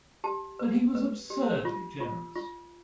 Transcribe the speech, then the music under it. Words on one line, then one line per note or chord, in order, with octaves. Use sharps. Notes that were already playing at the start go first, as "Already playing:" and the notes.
But he was absurdly generous.
G4 A5
B4
B4
G4
F4
F4
F4